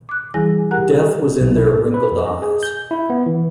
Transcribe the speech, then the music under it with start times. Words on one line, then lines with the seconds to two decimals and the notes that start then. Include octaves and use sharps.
Death was in their wrinkled eyes.
0.09 D6 F#6
0.34 E3 G3 E4 G#4 G#5 A#6
0.71 G4 A#4 F#5 G#5 A#5 F#6
1.41 B1
1.56 E4
1.73 A2
1.94 B4
2.12 F2
2.26 D#5
2.42 G#4
2.63 G6
2.91 E4
3.10 B3
3.26 E3